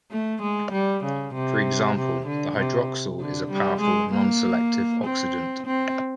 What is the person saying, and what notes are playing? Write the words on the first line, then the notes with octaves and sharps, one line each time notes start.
For example, the hydroxyl is a powerful, non-selective oxidant.
A3
G#3
G3
C#3
C3
C3
D3
C3
D3
G3
G#3
A#3
C4
C4